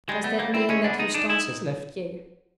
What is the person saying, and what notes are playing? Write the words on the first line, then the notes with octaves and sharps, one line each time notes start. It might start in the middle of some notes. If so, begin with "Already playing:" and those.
"Does that mean that Eustace has left you?"
G3 G#3
A3 B3
G3 A#3
C4 E4
G#3 C#4
B3 D4
G#3 D#4
D4 D#4
D#4 E4